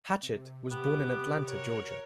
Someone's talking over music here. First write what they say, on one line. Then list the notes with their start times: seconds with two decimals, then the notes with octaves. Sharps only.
Hatchett was born in Atlanta, Georgia.
0.23 C3
0.71 B3 G4 D6
1.46 F#4 A#4 C#5